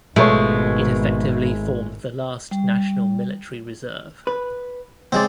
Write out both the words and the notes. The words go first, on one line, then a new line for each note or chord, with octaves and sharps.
It effectively formed the last national military reserve.
G#1 B2 G#3 A3 F4 C#5
G3
B4
C#2 F#3 G#3 C4 D5